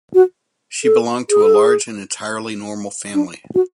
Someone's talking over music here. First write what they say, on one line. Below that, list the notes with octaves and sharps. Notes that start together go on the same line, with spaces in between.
She belonged to a large and entirely normal family.
F#4
A4
G#4
A4
G#4
D4
F#4